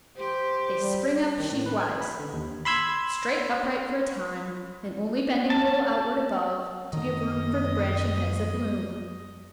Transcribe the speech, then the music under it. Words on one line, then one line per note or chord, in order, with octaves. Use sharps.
They spring up sheaf-wise, straight upright for a time, and only bending a little outwards above, to give room for the branching heads of bloom.
G4 C5
G3
D#3
A2
B4
G#6
B5
D3
D#2
B5 C6 E6 G#6
A5
F#2 D#3 D#5